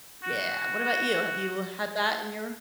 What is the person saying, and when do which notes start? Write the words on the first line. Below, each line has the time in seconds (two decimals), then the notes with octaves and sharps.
Yeah, what about you? Have you had that in your
0.24 F#4